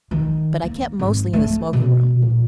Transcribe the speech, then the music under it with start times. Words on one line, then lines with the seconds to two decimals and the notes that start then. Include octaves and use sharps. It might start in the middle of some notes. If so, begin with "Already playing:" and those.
But I kept mostly in the smoking-room.
0.11 D#3
0.63 A#3
0.99 G#1
1.33 A3
1.73 B2
2.22 A#2